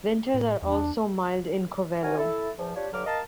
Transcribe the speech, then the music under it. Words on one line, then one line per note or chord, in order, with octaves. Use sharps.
Winters are also mild in Covelo.
A2
E2 D4
C2 F#4 A#4 C#5 G#5
E4 A4
E2 F3
D4 F4 G4 C#5 D5
G2 D3 F#3 D6 F6
A#4 D#5 F5 A5